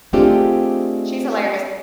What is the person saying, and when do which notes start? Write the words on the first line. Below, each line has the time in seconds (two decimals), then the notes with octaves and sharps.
she's hilarious,
0.13 G#3 A3 C4 D4 F4 G4